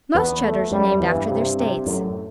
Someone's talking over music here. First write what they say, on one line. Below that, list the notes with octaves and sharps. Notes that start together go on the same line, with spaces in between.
Most Cheddars are named after their states.
E2 B3
A3
F#2 G3
E2 E3
G2
C3
C3
F#2 A2